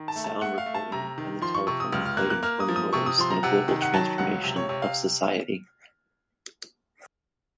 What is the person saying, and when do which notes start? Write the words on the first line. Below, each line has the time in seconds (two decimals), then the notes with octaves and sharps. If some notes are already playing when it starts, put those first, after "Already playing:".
Sound recording and the telephone played important roles in a global transformation of society.
Already playing: D#3
0.08 A5
0.16 A3
0.24 A5
0.41 A3 F#5
0.58 F5
0.66 A3
0.75 A5
0.92 C3 A#5
1.18 D#3
1.42 F3 C6
1.55 C#6
1.67 C3 C#6
1.80 D#6
1.93 C#2 F6
2.06 F6
2.17 A#3 F#6
2.30 F#6
2.43 A#3 F6
2.60 D#6
2.69 F3
2.76 D#6
2.93 C3 C#6
3.06 D#6
3.18 F3 C6
3.30 A#5
3.43 C3 F#5
3.68 D#3
3.82 F#5
3.94 F#3 A5
4.18 C#2 F#5
4.44 C3
4.56 C#5
4.69 C3 C#5
4.82 F5